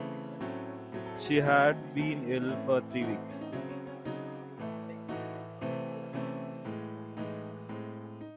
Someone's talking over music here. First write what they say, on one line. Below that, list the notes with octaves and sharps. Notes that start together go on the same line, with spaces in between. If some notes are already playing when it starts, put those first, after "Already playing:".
She had been ill for three weeks.
Already playing: C#3 E3 A3 C4
A2 F#3 A3 C4 C#4
A2 F#3 A3 C4
A4
G#4
F#4
E4
D#3 F#3 A3 C4 D#4
D#3 F#3 A3 C4
C#4
D#4
A2 E3 A3 C4 C#4 E4
E4
A2 E3 A3 C4 D#4 F#4
C#4
D#4
C#3 F#3 C4 C#4 E4
C#4
C#4
C#3 F#3 C4 D#4
A2 E3 A3
A2 E3 A3 D#4 F#4
C3 E3 A3 C4
C3 E3 A3 C4 C#4 E4
A2 E3 G#3
A2 E3 G#3 D#4
A2 G#3 C4
D#4